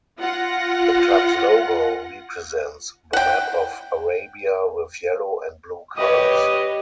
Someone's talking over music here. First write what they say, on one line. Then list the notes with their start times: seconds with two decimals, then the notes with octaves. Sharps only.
The club's logo represents the map of Arabia with yellow and blue colors.
0.20 F4 F#5 A#6
3.13 F#5 G5
5.97 G4 B4 C#5 D#5 D#6